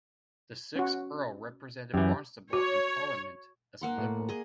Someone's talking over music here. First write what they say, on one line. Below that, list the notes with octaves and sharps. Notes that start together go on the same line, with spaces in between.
The sixth Earl represented Barnstaple in Parliament as a Liberal.
C#4 F#4
F#2 E3 G4
F#4 C#5
A#3 F#5 C6
A2
G#4 D#5